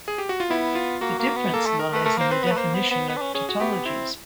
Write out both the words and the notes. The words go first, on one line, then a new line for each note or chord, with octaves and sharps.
The difference lies in the definition of tautologies.
G#4
G4
F#4
F4
B3 E4
F4
A#3 F#4
A#3
B3
A#3 A4
A3
A#4
A3 B4
A3 A#4
A#3 C5
C4 B4
B3 B4
A3
A#3 C5
B3
B3
B3 B4
D4
C#4
C#4 G#4
F#4
B3 G4
C4 E4